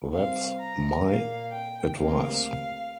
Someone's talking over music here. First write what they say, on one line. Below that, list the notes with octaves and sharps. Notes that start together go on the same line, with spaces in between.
That's "my" advice!
C3 G3 C4 F5
A#5
A#2 A#3 F5
G5
D2 C3 A#3 F5